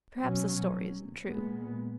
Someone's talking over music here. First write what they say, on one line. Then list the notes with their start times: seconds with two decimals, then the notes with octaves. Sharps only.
Perhaps the story isn't true.
0.21 B2 F#3 C#4
1.25 A#2 G#3 B3